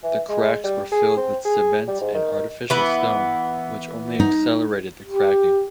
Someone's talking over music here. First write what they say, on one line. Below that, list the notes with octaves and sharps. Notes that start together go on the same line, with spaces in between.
The cracks were filled with cement and artificial stone which only accelerated the cracking.
E3
G#3
G3
G#4
C4
G#4
G3
G#2
D#3
E3 B3
D#4
G4